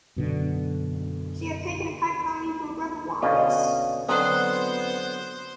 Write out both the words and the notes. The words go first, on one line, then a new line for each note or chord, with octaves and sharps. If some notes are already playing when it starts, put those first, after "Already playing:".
She had taken a kite belonging to her brother Wallace.
F#2 B2 D3
B2 D3 C#4 D#5 F5
D3 F#3 B3 C4 C5 D#6 F#6